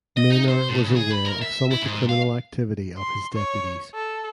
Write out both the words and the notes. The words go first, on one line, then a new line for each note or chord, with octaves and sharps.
Maynor was aware of some of the criminal activity of his deputies.
D#5
D#4
C5
A2
C#3
G#4
B5
A#4
E5
E4
G#2
F5
C6
C#5
A4